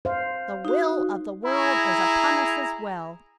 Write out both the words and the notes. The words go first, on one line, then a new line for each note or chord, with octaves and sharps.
The will of the world is upon us as well.
C5 F5
D#4 F#4
E4 G#4 A#5